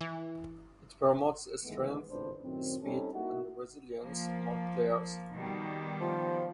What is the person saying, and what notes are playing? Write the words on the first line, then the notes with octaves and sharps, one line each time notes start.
It promotes strength, speed, and resilience among players.
E3
G2 D#3 E3 G#3 A3 B3
G#1 C#2 A2 D4 B4 C5
F#2 A2 D#3 C4
G3 C4 C#4 D#4 A4
A#3 D#4 E4 F#4
F3 A#3
B2 D#3 G3
F3